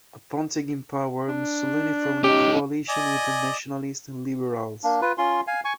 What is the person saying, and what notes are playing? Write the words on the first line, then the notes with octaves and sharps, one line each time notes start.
Upon taking power, Mussolini formed a coalition with nationalists and liberals.
D4
C#4 D#4 G4
D5 D#5 G#5
A#3 D4
F4 B4
C#4 F4 C6
F5 G#5
G#5 C#6